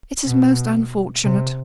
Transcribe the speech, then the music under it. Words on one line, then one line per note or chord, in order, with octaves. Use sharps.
'It is most unfortunate!
B2
C3